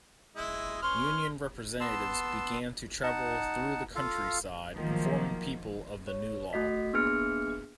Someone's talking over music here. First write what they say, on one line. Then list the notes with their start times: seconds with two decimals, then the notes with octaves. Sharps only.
Union representatives began to travel through the countryside, informing people of the new law.
0.36 G#3 E4 D#5
0.82 C#4 B4 C6 F6
1.80 B3 A5 C6 E6
3.03 D#4 F#5 A5
3.95 F4 A4 F5
4.73 D#3 F3 F#3 A#3
6.08 C#5
6.53 A3 F#4 D#5 B6
6.93 A#3 B3 D4 G#4 F6 C#7